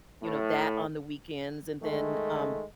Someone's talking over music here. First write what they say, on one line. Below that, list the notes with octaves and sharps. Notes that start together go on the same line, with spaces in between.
you know, that on the weekends, and then, um
A2
D#3 G#3 A3